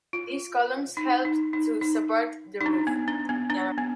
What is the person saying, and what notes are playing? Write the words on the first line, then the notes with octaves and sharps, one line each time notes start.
These columns helped to support the roof.
F4
D#4
D#4
D#4
D#4
D#4
D4
B3
D4
B3
D4
B3